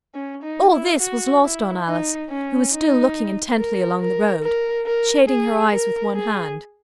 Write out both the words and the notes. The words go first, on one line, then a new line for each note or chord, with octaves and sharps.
All this was lost on Alice, who was still looking intently along the road, shading her eyes with one hand.
C#4
D#4
E4
F#4
E4
D#4
C#4
D#4
A#4
A#4
A#4
A#4
G#4
A#4
G#4